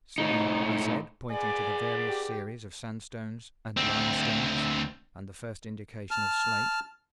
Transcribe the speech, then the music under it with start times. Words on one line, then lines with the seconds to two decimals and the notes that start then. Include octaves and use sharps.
"See," I said, pointing to the varied series of sandstones and limestones, and the first indication of slate.
0.18 A2 D#4
1.31 A#2 B3 G#4 D5 G#5
2.08 G4
3.77 D2 C4
6.11 A5 F6